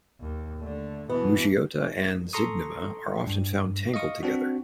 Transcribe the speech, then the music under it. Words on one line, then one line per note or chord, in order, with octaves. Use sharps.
"Mougeotia" and "Zygnema" are often found tangled together.
D#2
D3 A3
B2 E3 B3
A4 A#5 C6 C#6 D#6
G2
D#5 F5 C#6 D#6
C4 D4 F#4